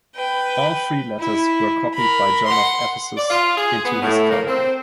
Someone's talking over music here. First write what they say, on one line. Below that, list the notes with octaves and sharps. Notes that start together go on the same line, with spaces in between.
All three letters were copied by John of Ephesus into his chronicle.
B4 G5
E4
A#4 B5
F#5 C6
D5
F4
G#4
B3
A2
A#3
C4